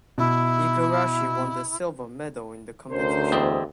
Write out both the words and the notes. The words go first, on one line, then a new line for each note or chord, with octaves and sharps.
Igarashi won the silver medal in the competition.
B2 E4
D2 C#4 A#4 C5
E2 C4 D#5